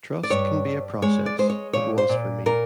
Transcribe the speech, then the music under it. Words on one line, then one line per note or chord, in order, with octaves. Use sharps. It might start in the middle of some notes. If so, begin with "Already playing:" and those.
Trust can be a process. It was for me.
D5
G2 C#5
G2
G#3 C#5
D5
G#3 C5
C#5
A#2 C#5
C5
A#2
A#2 A#4